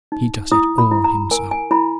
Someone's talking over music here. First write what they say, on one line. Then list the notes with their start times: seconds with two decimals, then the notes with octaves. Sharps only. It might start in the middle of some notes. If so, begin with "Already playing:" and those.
He does it all himself.
0.12 D#4
0.52 E4 D#6
0.78 B5
0.91 E4
1.04 A#5
1.31 A#4 G#5
1.51 G#5
1.71 E4 B5